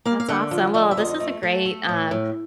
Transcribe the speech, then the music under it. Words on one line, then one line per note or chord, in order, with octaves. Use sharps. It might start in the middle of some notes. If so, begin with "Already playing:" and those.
That's awesome. Well, this is a great, um,
A#3 F5
F5
D3 F#5
F3
D3 D#5
E5
F2 D#5
A3
A3
A3
A2
A2